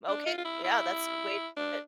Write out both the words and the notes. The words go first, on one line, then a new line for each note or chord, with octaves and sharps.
Okay, yeah. That's a good way to keep it.
D4
F4
F4
E4
E4
D4